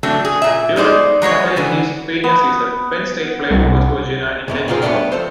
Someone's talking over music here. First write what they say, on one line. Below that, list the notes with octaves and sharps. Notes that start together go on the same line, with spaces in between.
During Cappelletti's senior season, Penn State played West Virginia in late October.
F#3 A3 C4 D4
G#4
A#2 E5
B3 D#4 C5 D5
F#3 G#3 F#4 C#5
D3 E3 B3
B3
C2
C#2 F#2 B3
A#2 D#3 F3 A#3 F4 G#4
G3 A3 B3 C#4 D4 G4
F3 A4 C5